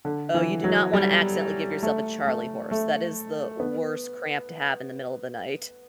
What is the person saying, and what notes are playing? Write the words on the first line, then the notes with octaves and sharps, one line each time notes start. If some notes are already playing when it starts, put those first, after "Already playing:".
Oh, you do not wanna accidentally give yourself a charley horse. That is the worst cramp to have in the middle of the night.
D3
E3
F#3
G3
A3
A3
A3
B3